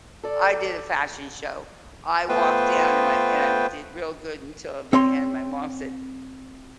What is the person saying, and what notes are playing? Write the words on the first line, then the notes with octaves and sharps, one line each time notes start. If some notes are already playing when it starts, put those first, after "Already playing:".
I did a fashion show. I walked down, and my and I did real good until the end, my mom said,
A4 D5
A3 B3 F4 B4 C5 G5
C4 C#5 C6